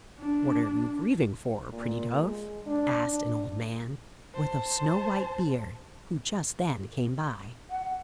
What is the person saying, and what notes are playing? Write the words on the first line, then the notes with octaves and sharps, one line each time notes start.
"What are you grieving for, pretty dove?" asked an old man, with a snow-white beard, who just then came by.
D4
A#2
G#3
D4
D4
C5 A5
F#5